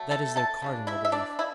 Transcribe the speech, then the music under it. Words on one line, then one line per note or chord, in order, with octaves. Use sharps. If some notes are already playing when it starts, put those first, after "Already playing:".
That is their cardinal belief.
Already playing: F#3 A3
A4 A5
A4 A5
C#3 G3 D4
E4 E5
E5
D4 D5
C#3 E4